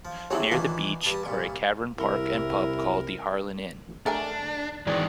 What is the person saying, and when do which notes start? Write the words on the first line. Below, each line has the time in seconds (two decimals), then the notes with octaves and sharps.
Near the beach are a caravan park and a pub called The Harlyn Inn.
0.05 F3
0.30 F#3 C4 D4 E4 G#4 C#5
0.52 D#3 E3 D4 F4
1.01 G2 A5 D#6
1.23 C2 A#2
1.98 C2 E4 A#4
4.06 A3 D4 A#4 G#5
4.87 G#2 D#3 E3 G#3 D5